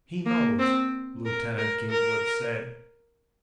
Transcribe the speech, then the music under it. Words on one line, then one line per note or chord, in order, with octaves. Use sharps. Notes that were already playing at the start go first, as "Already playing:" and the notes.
"He knows," Lieutenant Gatewood said.
A#3
C4
A#4
A#4
A#4